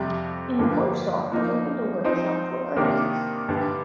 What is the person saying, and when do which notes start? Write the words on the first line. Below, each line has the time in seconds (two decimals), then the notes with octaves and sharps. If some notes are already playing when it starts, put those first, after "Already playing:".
In Warsaw he opened a workshop for artists.
Already playing: F2 C3 G3
0.59 G2 D3 F3 A#3
1.32 F3 A#3 D#4
2.04 F3 C4 D#4
2.76 C3 D#3 A#3 D4 G4
3.49 G2 D3 G3